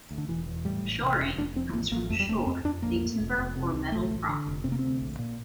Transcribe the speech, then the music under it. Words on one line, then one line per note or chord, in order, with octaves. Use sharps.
"Shoring" comes from "shore" a timber or metal prop.
D2
D3
E1 E3
E2
A2 G3
A1
C3
E1
F1 D4
F2 C4
A1 A#3
A1 A#3
F2 A3
G3
F1 A3
A#3
F2 C4
F2 D4
A#1 A#3
A2
F1
F1
C3
C2
A1 A3
A1
D3
F1
C3 C4
A#3
D2 C4
A#1
A#2